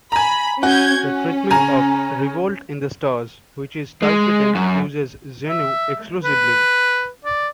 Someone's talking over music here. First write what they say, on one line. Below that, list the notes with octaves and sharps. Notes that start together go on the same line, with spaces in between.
The treatment of "Revolt in the Stars"-which is typewritten-uses "Xenu" exclusively.
G#5 A#5 B5
C#4 F#4 G6 G#6
C#4
C#3 G#5 A#5
G#3
F#2
E5
B4
D5